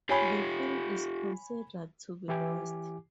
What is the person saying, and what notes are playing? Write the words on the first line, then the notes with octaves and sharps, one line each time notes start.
The film is considered to be lost.
F4 G4 C#5 G#5 B5
E3 E4 G4 G#5 D6